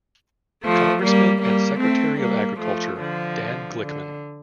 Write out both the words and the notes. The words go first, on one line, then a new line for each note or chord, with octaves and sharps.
Congressman and Secretary of Agriculture Dan Glickman.
F3 A3
G3 A#3
G3 A#3
A3 C4
G3 A#3
F3 A3
D3 F3
D3